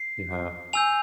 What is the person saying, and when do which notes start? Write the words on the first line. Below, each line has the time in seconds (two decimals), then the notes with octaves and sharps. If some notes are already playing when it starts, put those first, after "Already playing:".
You have.
Already playing: C7
0.73 G#5 E6 G6 F7